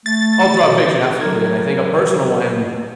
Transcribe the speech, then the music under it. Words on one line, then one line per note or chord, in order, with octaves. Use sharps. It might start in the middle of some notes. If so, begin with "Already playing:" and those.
All throughout fiction, absolutely. And I think a personal one
A3 A6
B2
F#3 A#4 G#6